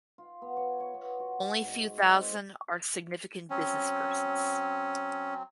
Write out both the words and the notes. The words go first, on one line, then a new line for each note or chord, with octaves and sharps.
Only few thousand are significant businesspersons.
F4
B3
C#5
C#5
B3
F#4
C#5
G#2
D#5
C4
F#3 C4 C#4